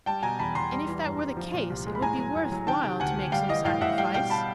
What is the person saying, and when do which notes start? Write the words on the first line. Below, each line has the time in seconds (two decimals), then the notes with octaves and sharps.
"And if that were the case it would be worth while to make some sacrifice."
0.06 G3 G5 A5
0.23 B2 G#5 A#5
0.39 E2 A5 B5
0.55 E2 A#5 C6
0.72 G3
0.88 E3
1.04 G2
1.20 G2
1.37 F3
1.54 A#2
1.70 C2
1.86 G#3
1.95 B5
2.02 A2 G#5 A#5
2.19 F#3
2.35 A2
2.52 F#3
2.67 D#3 G5 A5
2.84 C3
3.00 D2 F#5 G#5
3.16 D2
3.32 G3 F5 G5
3.49 E3 D#5 F5
3.65 A2 F5 G5
3.81 A2 E5 F#5
3.98 G3 F5 G5
4.14 B2 F5 G5
4.30 A5 B5